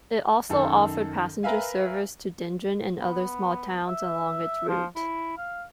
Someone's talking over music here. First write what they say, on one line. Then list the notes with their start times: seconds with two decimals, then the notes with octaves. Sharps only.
It also offered passenger service to Dendron and other small towns along its route.
0.49 F#2 D#3 A4
1.43 A#4 B4 E5 F5 G#5
3.00 B3
3.88 E5
4.69 F3
4.96 E4
5.37 F5